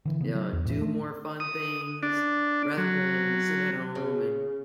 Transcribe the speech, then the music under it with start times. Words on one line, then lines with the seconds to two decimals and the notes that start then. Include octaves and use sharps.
you know, do more fun things rather than sit at home, and
0.05 D3 E3
0.21 C#3 B3
0.35 F#3
0.53 E2
0.65 A2 E3
0.81 A3
1.40 D#6
2.03 D4
2.78 F#3
3.95 C#3